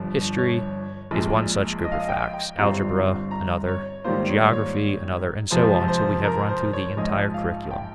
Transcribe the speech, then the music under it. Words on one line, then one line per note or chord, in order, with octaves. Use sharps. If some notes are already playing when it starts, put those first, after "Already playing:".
History is one such group of facts; algebra another; geography another, and so on till we have run through the entire curriculum.
Already playing: G1 G2 F3
C#5
A#1 A#2 G#3
D#5
F5
D#5
G5
G5
G1 G2 G3 C4 F4 A#5
A#5
C#5
G#2 D#3 G3 A#3 F4 C5
C#5
C#5
F2 C3 F3 G#3 C5
C5
A#4
C5
C#5
A#1 G#2 F3 D#5
F5
G5